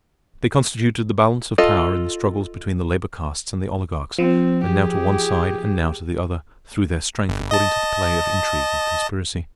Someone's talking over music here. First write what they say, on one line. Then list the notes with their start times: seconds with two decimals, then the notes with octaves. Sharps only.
They constituted the balance of power in the struggles between the labor castes and the oligarchs, and now to one side and now to the other, threw their strength according to the play of intrigue and conspiracy.
1.58 F4 A4 D#5
4.18 F3 C4
4.65 G4 G#4
7.29 G1
7.51 D#5 A5